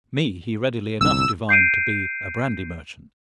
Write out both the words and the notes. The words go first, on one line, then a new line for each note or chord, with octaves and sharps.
Me he readily enough divined to be a brandy merchant.
G1 C2 E6
G6 C7 D7 D#7